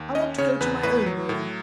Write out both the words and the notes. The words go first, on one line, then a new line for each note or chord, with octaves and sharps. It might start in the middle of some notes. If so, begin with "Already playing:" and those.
"I want to go to my own room."
Already playing: D#2
C#4 D#5
C#3 C#5
E2 B4
A2 B4
F#3
A2